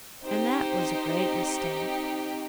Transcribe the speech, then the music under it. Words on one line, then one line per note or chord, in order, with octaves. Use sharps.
And that was a great mistake.
C4 D#4 G4 C5